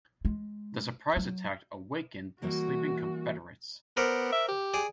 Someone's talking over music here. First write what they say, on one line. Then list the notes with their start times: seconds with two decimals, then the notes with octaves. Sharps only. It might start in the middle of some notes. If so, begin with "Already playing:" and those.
The surprise attack awakened the sleeping Confederates.
0.25 G#3
1.17 F#3
2.42 E3 G3 A#3 F#4
3.97 B3 A#4 C5 D5
4.32 E5
4.48 G4
4.74 G#4 D5